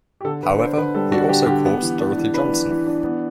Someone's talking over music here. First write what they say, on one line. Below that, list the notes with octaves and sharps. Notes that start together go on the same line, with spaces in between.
However, he also courts Dorothy Johnson.
G4
D3 A4
D3 B4
D4 C5
D3 B4
G3 A4
D4 F#4
D3 G4
D3 G4
B3
E3
D4
E3
D4 B4
E3
E3
D4
B3